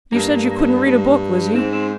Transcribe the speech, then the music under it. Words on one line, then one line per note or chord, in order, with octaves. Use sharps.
'You said you couldn't read a book, Lizzie.
G2 A#3
G2
G#2 C4
C4